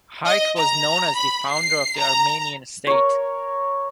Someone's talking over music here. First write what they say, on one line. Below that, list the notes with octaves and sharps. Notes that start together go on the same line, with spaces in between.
Hayk was known as the founder of the Armenian state.
D#5
A#5
B5
C7
A#5
A#4 C#5